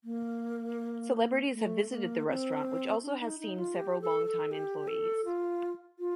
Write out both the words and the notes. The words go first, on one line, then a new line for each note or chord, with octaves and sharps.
Celebrities have visited the restaurant which has also seen several longtime employees.
A#3
A3
A#3
C4
D4
D#4
D#4
F4
G4
A4
A4
G4
A4
F4
F4